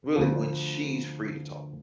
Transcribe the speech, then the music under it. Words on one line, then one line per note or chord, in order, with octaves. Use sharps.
really, when she's free to talk.
D2 F3